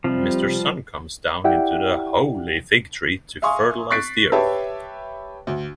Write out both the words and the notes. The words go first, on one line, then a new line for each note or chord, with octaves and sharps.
Mr. Sun comes down into the holy fig-tree to fertilize the earth.
C3 F3 G3
E4 G4 D5 E5 F#5 G5
E5 F5 G#5 C6 C#6 D#6
C#6 F#6 A6 B6 C7 D7
G4 B4 C#5 E5 G5 A5
D2